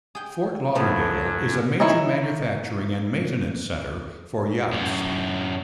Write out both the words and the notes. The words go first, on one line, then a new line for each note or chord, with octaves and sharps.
Fort Lauderdale is a major manufacturing and maintenance center for yachts.
G#4 G5
F#2 F3 A3 B3
D#4 E4 C#5 D#5
F#2 A2